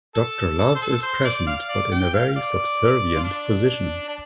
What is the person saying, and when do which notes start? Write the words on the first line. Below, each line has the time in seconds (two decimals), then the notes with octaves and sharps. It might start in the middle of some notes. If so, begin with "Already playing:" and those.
Doctor Love is present but in a very subservient position.
0.15 A4
0.59 A4
0.75 C5
0.81 A4
1.03 C5
1.25 D5
1.47 F5
1.69 D5
1.91 G5
2.13 F5
2.36 D5
3.15 F4
3.24 D4
4.08 D4